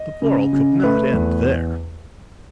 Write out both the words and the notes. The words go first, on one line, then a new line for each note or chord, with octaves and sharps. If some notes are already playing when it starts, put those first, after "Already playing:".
The quarrel could not end there.
Already playing: D#5
C#3
C#3
A3 B4
E2